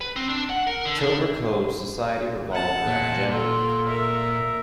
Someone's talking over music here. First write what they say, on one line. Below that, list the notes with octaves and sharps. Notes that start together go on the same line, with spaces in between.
Tober Cove's society revolves around gender.
B4
C4
D4
F#5
A#4
D3
D4
F#5 A5
A#2
F4 A4
A#4 E5